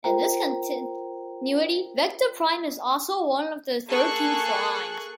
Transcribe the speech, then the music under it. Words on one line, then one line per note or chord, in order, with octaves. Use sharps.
In this continuity, Vector Prime is also one of the Thirteen Primes.
F4 A#4 C5 G5 A#5
A#3 G#4 A4 C#6 F#6